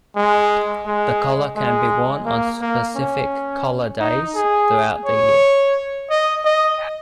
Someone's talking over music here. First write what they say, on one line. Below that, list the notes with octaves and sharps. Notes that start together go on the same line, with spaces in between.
The collar can be worn on specific 'Collar Days' throughout the year.
G#3
G#3
G#3
A#3
A#3
C#4
D#4
G#4
C#5
D#5
D#5